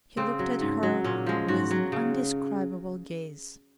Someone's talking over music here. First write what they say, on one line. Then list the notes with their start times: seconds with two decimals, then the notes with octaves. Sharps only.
He looked at her with an indescribable gaze.
0.17 C#3 C4
0.39 F#3
0.61 G#2
0.83 F#3
1.04 A#2 C#4
1.26 F3 G#3
1.48 G#2 F#4
1.71 F#3
1.92 C#3